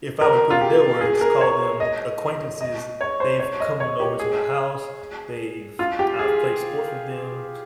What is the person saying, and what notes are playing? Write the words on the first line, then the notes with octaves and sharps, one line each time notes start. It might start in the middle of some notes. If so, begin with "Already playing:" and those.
if I would put in their words, call them acquaintances, they've coming over to my house, they've I've played sports with them,
A#4
F4
G4
G#4
A#4
C#5
D#5
D#5
C#5
C5
C#5
D#5
C#5
G4
G#4
F4
G4
G#4